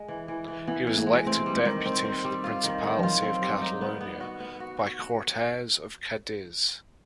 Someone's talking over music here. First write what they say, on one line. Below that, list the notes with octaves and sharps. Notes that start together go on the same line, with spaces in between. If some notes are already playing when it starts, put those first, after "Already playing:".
He was elected deputy for the Principality of Catalonia by the Cortes of Cadiz.
Already playing: G#3
E3
E3
E3
E3 B3
E3
A#3
G#3
A3 C4
G3
G#3
D#3
C4
C4
G3
F4
D#3
D#3
F3
F#3 F4
C4
G3
D#4
B3
B3
F#4
B3
F#4
F#4
F#4